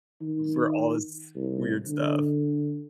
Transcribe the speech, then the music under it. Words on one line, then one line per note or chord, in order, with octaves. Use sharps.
for all this weird stuff.
D#3
C2
D3